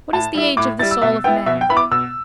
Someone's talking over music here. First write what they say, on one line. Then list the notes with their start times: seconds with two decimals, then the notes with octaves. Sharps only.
What is the age of the soul of man?
0.13 A2 A5
0.34 G3 E4
0.57 A2 D6
0.79 G3 E4 A6
0.91 E6
1.02 B2 E5
1.24 B3 E4 G5
1.46 B2 E5
1.61 G5
1.69 B3 E4 B5
1.77 D6
1.91 B2 E6